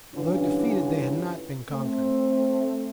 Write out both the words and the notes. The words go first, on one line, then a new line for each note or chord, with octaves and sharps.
Although defeated they had not been conquered.
G2 D3 E3 C#4 F4
A3 C4